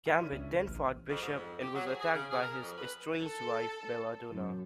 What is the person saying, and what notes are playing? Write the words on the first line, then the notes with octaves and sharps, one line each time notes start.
Gambit then fought Bishop and was attacked by his estranged wife Bella Donna.
A1 F6 D#7
C#4 D4 E4
C#2
A1 F6
F2
G#2
F2
G4
F#3
G#4
G#4
C#3
G#4
A#4
F2
B4
A4
F#2